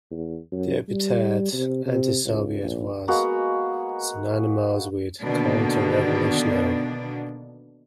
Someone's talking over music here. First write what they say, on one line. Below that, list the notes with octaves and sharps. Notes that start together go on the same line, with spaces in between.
The epithet "antisoviet" was synonymous with "counter-revolutionary".
E2
F#2
G3
C3
C3
C#2
A#1
G#3 A#3 B3 F#4
B2 D3 D#3 A#3 B3 D4